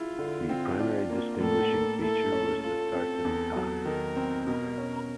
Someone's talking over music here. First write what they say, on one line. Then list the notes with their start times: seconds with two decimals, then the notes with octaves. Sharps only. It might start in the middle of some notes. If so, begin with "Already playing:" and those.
The primary distinguishing feature was the tartan top.
Already playing: E4 F4 G#4
0.18 D3
0.49 C4
0.79 D4
1.10 A#3
1.40 A2 A4
1.72 A#3
2.02 E4 A4
2.32 C#4
2.63 F4 A4
2.95 C4
3.25 E2
3.56 F#3
3.85 D#3 A#4
4.16 C4
4.47 B2 A#4
4.78 C#4